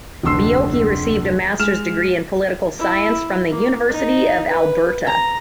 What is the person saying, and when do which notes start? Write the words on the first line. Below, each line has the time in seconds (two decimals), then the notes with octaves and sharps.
Biocchi received a master's degree in political science from the University of Alberta.
0.23 F1 D2 D3 C6 E6 C7
1.59 G#3 F6 E7
2.79 E4
3.51 A#3
3.89 D#4
4.48 B4
5.07 A#5